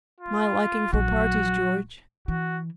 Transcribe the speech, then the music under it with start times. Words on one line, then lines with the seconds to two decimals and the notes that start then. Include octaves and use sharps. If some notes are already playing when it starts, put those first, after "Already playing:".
"My liking for parties, George."
0.20 F4
0.93 A#1 F#3 F#4
2.28 E3 F#4